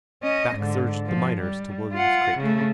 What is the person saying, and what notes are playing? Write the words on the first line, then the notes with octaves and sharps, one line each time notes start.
Back surged the miners to William's Creek.
C#4 D#5
G#2 D3
F3
G3
F4 F#5
C#3 A3